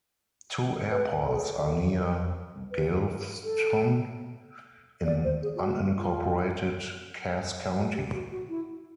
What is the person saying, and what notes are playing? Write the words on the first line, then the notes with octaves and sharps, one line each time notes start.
Two airports are near Galveston in unincorporated Cass County.
B4
A4
G#4
A4
A4
A#4
B4
A#4
A4
D5
C5
G#4
F4
F#4
F4
F#4
G4
F#4
F#4
E4